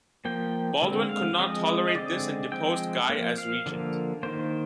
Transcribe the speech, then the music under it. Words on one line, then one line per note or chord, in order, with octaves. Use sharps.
Baldwin could not tolerate this and deposed Guy as regent.
F3 A#3 G5
D3 G#3 C4
F5
F3 G#3 C4 D#5
D#5
D3 G#3 C4 D5
F3 G#3 C4 G5
F3 A#3
F5
D3 F3 A#3
D#3 A#3 C5